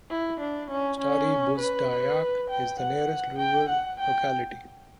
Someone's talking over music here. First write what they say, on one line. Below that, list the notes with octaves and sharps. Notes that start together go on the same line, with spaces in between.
Stary Buzdyak is the nearest rural locality.
E4
D4
C#4
C#4
B4
G5
F#5
G5
F#5
G5